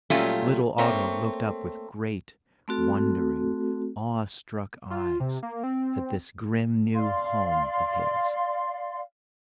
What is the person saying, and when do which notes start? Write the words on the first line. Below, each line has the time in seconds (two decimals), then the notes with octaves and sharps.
Little Otto looked up with great, wondering, awe-struck eyes at this grim new home of his.
0.10 A#2 F#3 G3 A3 C#4 F4
0.78 A3 A#3 C4 C#5
2.68 A3 C4 F#4 A4
4.91 F4
5.20 C3
5.43 A#3
5.64 C4
6.95 D5 F5 C6